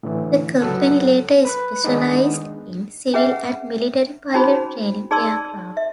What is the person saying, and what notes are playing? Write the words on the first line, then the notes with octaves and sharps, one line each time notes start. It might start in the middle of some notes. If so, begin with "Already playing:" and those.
The company later specialised in civil and military pilot training aircraft.
A2 D3 E3
C#2 F#3 B3 A4 F#6
B4 B5 F#6
D#3 G#3 B3 D4 D#4
C#4 G#4 B4 E5 F#5
C#4 D#4 F#4 G#4 C5 B5
D#4 G#4 D5 A5 C6 E6
E5